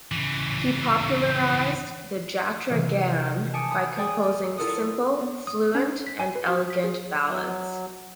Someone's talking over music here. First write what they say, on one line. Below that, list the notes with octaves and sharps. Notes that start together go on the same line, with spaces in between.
He popularized the Jatra Gan by composing simple fluent and elegant ballads.
C#3 E3
C3 D#3 E3 F#3
G#5 A5 D6 D#6 C#7 D7
F#5 B5 D#6
G#4 D5 G5 G#5 B5 D#6
E4 F4 A4 A#4 F#5 D#6
B3
D#6
C#4
B6
G#5
B4
F#4
B6
G#4
F#3